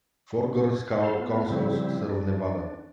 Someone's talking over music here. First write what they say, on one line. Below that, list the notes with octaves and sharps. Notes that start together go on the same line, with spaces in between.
Four Girl Scout Councils serve Nevada.
A4 C5 F5
B3 F4
C#3 F3 G3 C4 E4
D4